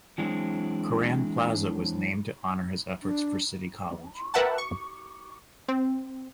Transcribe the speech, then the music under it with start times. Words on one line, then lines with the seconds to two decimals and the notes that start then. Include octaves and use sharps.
Curran Plaza was named to honor his efforts for City College.
0.18 E3 F#3 G#3 C4 D4 E4
3.03 D4
4.34 A#4 B4 E5 F#5 G5 A5
4.58 C#6
5.68 C4